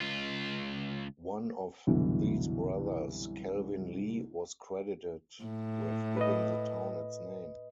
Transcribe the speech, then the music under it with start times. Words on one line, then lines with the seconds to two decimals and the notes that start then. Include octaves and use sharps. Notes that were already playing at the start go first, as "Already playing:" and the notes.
One of these brothers, Calvin Lee, was credited with giving the town its name.
0.01 C#2 F4
1.87 C2 F#2 B2 D3 E3
5.44 A2
6.17 B4 D#5